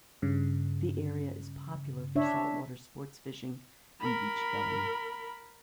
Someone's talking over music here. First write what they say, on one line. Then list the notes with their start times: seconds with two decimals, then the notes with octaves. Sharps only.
The area is popular for saltwater sports fishing and beach-going.
0.22 G2 C#3
2.16 D4 C#5 E5
4.00 A#4 B5